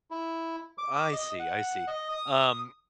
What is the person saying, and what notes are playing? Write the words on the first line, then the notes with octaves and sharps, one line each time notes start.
I see, I see. Um,
E4
D6
D#5
F#5
D#5
D#6